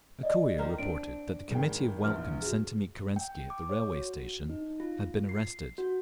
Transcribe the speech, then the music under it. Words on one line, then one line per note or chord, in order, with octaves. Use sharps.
A courier reported that the Committee of Welcome sent to meet Kerensky at the railway station had been arrested.
D5 D#5
D#3 F3 A#4
C4 D4 D7
G#1 G#4 G5
A#1 E2 F6
F#4 G#4
G5
D6
C#5
F#4
D#4
F4
C7
F#4